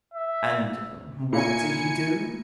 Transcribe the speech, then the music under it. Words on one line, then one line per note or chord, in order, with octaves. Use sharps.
"And what did he do?"
E5
A#2 E4 G#5 C#7